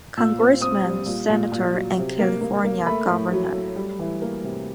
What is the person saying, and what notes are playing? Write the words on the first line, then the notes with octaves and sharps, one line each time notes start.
Congressman, Senator and California governor.
A#2 E6
C4
C4 D#6
G3
A#2
A#2
A#2
F#3
C3
A#3
A#3
A#3
A3 B5
A2
F#3
A3
G3
E3
A#3
C3